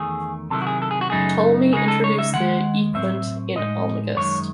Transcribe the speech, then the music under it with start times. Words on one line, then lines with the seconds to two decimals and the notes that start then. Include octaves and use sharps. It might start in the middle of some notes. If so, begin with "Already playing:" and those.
Ptolemy introduced the equant in "Almagest".
Already playing: E2 D#3 A3 G#4
0.50 C3 D#3 F#3 C#4 E4 A4
0.62 F#4
0.67 G#4
0.82 A4
0.91 G#4
1.01 F#4
1.10 F#2 C#3 F#3 A3 D#4 G#4
1.73 C#3 G#3 D#4 G#4
1.88 A4
2.04 C#5
2.19 E5
2.33 D#2 D#3 G#3 F#5
2.95 A2 F#3 C4 E5
3.55 A2 G#3 D#4 D#5
4.16 F#2 D#3 G#3 C#5